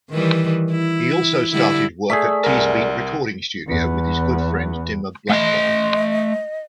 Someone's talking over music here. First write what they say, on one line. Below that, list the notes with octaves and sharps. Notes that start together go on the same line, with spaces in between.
He also started work at Teesbeat recording studio with his good friend Dimmer Blackwell.
D#3 E3 G3
E4
D3 G3 E4
A3 G#4 D5 B6
C2 A#4
E2 B3
A3 D#5 C6